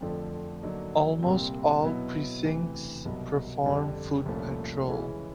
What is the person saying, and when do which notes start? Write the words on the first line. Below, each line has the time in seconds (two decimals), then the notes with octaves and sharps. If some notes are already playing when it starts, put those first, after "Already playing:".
Almost all precincts perform foot patrol.
0.01 F2 D3 F3 A3 C4
0.62 D3 F#3 A#3 D#4
1.23 C2 A#2 G3 C4
1.83 B2 F#3 B3 E4
2.43 D2 C3 E3
3.05 C2 B2 F#3
3.66 F2 D3 G3
4.26 C2 A#2 F3 A3 C#4
4.88 C#3 E3 G#3 C#4 E4